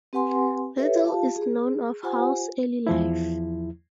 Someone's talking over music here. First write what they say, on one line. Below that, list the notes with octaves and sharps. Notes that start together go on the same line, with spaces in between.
Little is known of Hall's early life.
C4 G4 B4 F#5 G#5 C6
G4 A4 B4 C#5 E5
F4 G4 F5 A5
G#4
F4 G4 C5 F#5 G#5
E2 F3 E4